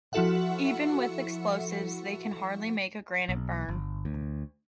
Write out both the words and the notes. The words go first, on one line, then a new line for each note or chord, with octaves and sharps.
Even with explosives, they can hardly make a granite burn.
F3 E4 F#4 A4 E5 F#5
B1
G1
D2